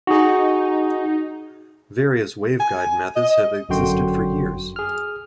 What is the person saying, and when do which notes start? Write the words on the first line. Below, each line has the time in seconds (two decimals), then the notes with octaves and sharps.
Various waveguide methods have existed for years.
0.07 D#4 F#4 G#4
2.60 G#5
3.16 D#5
3.69 G1 F#2 D3 F#4 G5 C6
4.76 G#4 F6